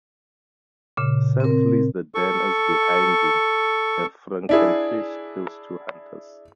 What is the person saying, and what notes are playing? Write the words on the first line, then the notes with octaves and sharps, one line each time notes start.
Sam flees the den as behind him a frankenfish kills two hunters.
A#2 C#3
C4 A#4
A4 C#6
D4 E4 G#4